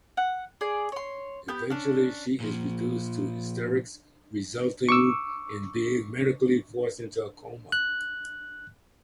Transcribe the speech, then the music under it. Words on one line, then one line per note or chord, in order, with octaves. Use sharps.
Eventually she is reduced to hysterics, resulting in being medically forced into a coma.
F#5
G#4 D5
C#5 C6
B3 G4 G6
C#4 D4
A#2 F3
C#6 D6 E6
F#6